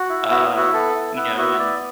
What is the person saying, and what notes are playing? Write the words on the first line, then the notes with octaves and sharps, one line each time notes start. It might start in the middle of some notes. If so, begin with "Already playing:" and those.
uh, you know and
Already playing: F#4
E4
B3 F#4
E4
F#4
B3 A4
E4
B3 B4
E4 F#4
B3 D5